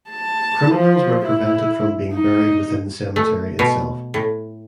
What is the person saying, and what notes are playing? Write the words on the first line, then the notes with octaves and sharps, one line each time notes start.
Criminals were prevented from being buried within the cemetery itself.
A5
F3
E4
D#4
A3
B2
A2